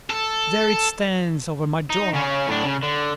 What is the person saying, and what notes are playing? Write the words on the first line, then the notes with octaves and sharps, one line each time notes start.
There it stands over my door.
A4
D#4
C#3 C#4
A2 D4
C#3
D3